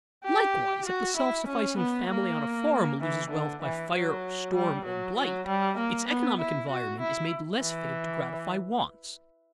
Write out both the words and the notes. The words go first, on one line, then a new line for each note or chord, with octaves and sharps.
Likewise, if the self-sufficing family on a farm loses wealth by fire or storm or blight, its economic environment is made less fitted to gratify wants.
G4
F#4
E4
C#4
B3
A#3
E3
D3
E3
F#3
G3
F#3
F#3
G3
A#3
B3
E4
F#4
E4
E3